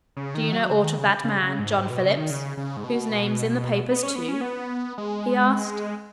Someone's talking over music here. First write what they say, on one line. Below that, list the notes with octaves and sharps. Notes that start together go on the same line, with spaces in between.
"Do you know aught of that man, John Phillips, whose name's in the papers too?" he asked.
C#3
D#3
F#3
C#3
D#3
C#3
C#3
C#3
G#2
G#2
B2
C#3
D#3
C#3
C#3
G#2
B2
B3
C#4
B3
C#4
B3
G#3